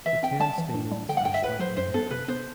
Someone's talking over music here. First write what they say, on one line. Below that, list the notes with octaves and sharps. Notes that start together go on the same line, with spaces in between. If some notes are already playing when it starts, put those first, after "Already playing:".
The ten stamens are slightly hairy.
E3 E5
C4 G5
G3 A5
E3
G2
G3
D3 G5
F#5
G2 G5
E5
G1 B4
F#3 C5
F#2 C5
B3 A4
C3 B4
B3 C5